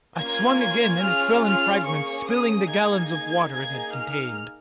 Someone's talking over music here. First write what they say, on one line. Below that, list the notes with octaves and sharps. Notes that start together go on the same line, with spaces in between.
I swung again and it fell in fragments, spilling the gallons of water it had contained.
A#3 C#4 F4 G#6
G#6
C#4 F4 G#4 F6
F6
A#3 C#4 G#4 C#6
D#6
A#3 D#4 G#4 G#6
G#6
A#3 D#4 G#4 G#6
F6